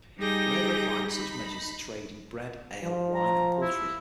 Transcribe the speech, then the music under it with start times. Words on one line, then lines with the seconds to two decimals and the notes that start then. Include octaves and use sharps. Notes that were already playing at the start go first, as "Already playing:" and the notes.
He later applied such measures to trade in bread, ale, wine and poultry.
0.19 G3 D#4 G4 G#4 G6 A#6
1.08 D#4 B5
2.83 F3
3.15 A#5
3.62 E4